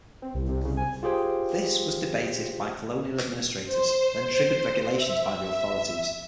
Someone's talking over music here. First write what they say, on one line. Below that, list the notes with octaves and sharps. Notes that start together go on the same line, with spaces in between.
This was debated by colonial administrators, then triggered regulations by the authorities.
C4
C2
C3
C#3
G#5
F4 G4 G#4 C5 G5
C5
E5